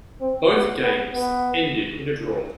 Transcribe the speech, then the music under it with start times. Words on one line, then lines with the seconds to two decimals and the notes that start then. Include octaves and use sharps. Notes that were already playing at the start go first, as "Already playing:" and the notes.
Both games ended in a draw.
0.21 C4
0.51 B3
0.82 B3
1.14 B3